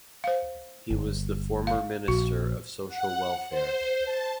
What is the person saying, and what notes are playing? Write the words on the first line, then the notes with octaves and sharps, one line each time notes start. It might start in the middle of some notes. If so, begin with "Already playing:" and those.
He was the former Minister of Social Welfare.
C5 F5
G1
F5
A#1 F#4
F#5
C5
A5